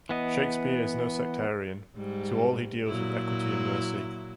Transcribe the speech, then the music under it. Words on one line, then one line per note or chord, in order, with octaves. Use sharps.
Shakespeare is no sectarian: to all he deals with equity and mercy.
E3 B3 D#5
G#2 G3
A#2 F#3 E4